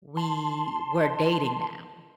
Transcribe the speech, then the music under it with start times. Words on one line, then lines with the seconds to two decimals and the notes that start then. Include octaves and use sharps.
We we're dating now."
0.17 A5 C6